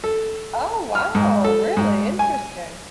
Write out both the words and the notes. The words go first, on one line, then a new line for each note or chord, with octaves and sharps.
Oh, wow, really? Interesting.
A4
F6
G#2
A4
G#2
G#5